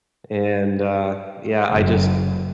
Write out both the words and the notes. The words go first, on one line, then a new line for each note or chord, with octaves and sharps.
and uh, yeah, I just
F#1